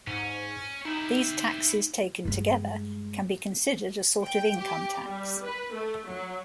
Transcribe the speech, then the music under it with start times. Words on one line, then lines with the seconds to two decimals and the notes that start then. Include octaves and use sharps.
These taxes taken together can be considered a sort of income tax.
0.07 G#2 C#4
0.85 D#4 E4 G4
2.25 G2 G#3
4.24 G5
4.59 G4
5.07 G3
5.42 B4
5.73 A3
6.09 F#3